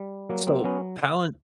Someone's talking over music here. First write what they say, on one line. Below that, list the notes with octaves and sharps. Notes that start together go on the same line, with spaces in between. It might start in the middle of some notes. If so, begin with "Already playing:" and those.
So, Palant
Already playing: G3
F#3 A#3
A#3 C4
F#3 B3 C#4